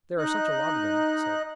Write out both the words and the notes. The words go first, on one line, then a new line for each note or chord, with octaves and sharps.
"There are such a lot of them," he said.
D#4 F#6